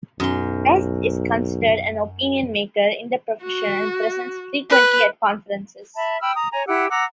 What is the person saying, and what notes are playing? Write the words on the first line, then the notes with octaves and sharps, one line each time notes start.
West is considered an "opinion maker" in the profession and presents frequently at conferences.
B1 F#2 C6
F#4
B4
E5 A5 B5
G5 B5 E6 F6
A#5 D#6
C#5 G#5 A#5
E4 G4 F#5 E6
F#5 A#5 D6 E6